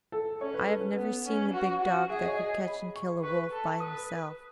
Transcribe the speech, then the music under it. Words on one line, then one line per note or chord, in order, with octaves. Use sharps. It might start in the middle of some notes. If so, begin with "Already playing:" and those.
I have never seen the big dog that could catch and kill a wolf by himself.
A4
C#4 C#5
B4
A4
B4
B3
C#4
F#4
F#4
G#4 E5
D#5
C#5
D#5
B5
C#6
B4 C#6
A4
B4 D#6